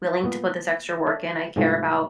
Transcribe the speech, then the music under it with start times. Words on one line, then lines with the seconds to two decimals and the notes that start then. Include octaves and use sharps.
willing to put this extra work in. I care about
0.24 A#2 B3
1.07 D4 A4 C#5 E5
1.56 G#2 C3 E3 G3 A3 F4